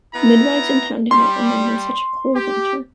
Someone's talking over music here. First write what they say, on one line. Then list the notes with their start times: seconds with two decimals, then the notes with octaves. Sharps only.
The midwives in town did not remember such a cruel winter.
0.15 B3 E4 A#5
1.11 G3 C6
2.35 G4